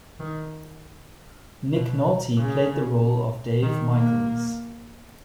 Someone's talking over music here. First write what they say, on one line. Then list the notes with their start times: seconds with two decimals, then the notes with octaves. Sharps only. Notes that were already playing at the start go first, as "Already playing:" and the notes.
Nick Nolte played the role of Dave Michaels.
0.19 D#3
1.75 B2
2.38 C#3
3.63 D#3
3.93 A#3